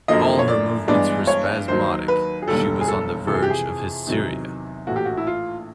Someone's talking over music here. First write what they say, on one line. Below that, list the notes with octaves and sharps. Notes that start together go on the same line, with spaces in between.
All her movements were spasmodic; she was on the verge of hysteria.
F#2 D3 F3 A#3 D#5
C#5
D5
G2 E3 G#3 B3 D5
C#5
D#2 D#3 F#3 C5
B4
G#4
E1 D#2 D3 G3 A4
G#4
A4
F2 C3 E3 A4
G#4
G4
G#4
E2 C3 D#3 F#3
A#1 A2 E3 F#4
G4
F#4
E4
F4